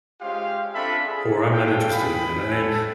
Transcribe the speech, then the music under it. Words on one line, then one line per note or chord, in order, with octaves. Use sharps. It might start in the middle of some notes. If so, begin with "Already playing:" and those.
or I'm not interested in that, a and
G#3 C#4 F4 G4 C5 F5
C4 D4 F4 A4 E5 B5
G#4
A4 F5 G5
G#4 G5 G#5 B5
A4